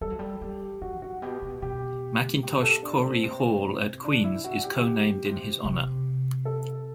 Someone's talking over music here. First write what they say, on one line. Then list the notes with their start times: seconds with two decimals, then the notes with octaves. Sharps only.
Mackintosh-Corry Hall at Queen's is co-named in his honour.
0.01 G3 A4
0.10 F#3
0.19 G3
0.41 G3 G4
0.81 F#3 F#4
1.01 A2 F#4
1.22 B2 G4
1.42 B2
1.62 B2 G4
2.43 G4
2.63 A4
2.83 D4
3.02 C4
3.23 C3
4.04 D4
4.24 E4
4.44 F#4
4.64 G4
4.84 B2
5.25 C3
5.65 C3
6.45 A4